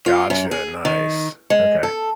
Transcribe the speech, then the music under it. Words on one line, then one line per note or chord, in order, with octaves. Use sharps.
Gotcha, nice, okay.
F4
F#2
G#4
D#3
G#3
A4